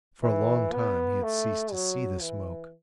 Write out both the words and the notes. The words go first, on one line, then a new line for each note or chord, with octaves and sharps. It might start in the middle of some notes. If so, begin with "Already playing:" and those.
For a long time he had ceased to see the smoke.
E3
B3
A3
F#3
E3